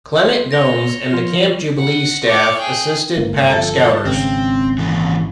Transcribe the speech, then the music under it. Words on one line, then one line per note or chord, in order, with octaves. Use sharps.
Clement Gomes and the Camp Jubilee staff assisted Pack Scouters.
C6
C#5 A#6 F7 G7
F3 F4
F#5
C#5 D5
G#4 G5
G1 G#2 A#3
G1 F3 A4
G#1 C#3 C4
A#2 E3